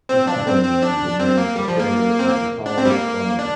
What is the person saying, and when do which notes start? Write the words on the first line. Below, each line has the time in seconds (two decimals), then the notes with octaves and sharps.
The company is the main sustainer of the town's economy.
0.09 C4
0.27 D4
0.46 C4
0.65 C4
0.83 D4
1.19 C4
1.38 A#3
1.56 G3
1.68 F3
1.80 A#3
2.19 C4
2.29 A#3
2.66 D4
2.78 C4
2.85 G3
2.90 A#3
3.39 D4